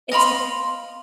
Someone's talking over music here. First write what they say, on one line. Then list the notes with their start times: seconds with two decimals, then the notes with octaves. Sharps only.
it's, like
0.12 D#5 F5 B5 C6